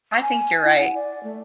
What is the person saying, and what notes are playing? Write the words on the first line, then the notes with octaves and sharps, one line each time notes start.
I think you're right.
G#5
E4
F#5
D5
A3